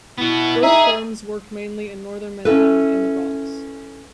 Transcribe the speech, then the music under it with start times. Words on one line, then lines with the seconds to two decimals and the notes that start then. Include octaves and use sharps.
Both firms worked mainly in northern Manhattan and the Bronx.
0.18 B3 E4 F#4
0.63 D#4 G#4 E5
2.45 C#4 E4 A4 B4